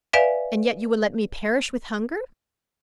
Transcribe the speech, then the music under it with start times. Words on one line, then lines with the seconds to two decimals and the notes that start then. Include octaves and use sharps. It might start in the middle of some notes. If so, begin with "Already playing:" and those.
"And yet you will let me perish with hunger?"
0.13 B4 D5 E5 F5 G#5